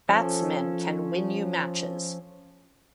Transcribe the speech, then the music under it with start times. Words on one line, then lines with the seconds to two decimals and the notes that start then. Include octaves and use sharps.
Batsmen can win you matches.
0.09 F3 C#4 A4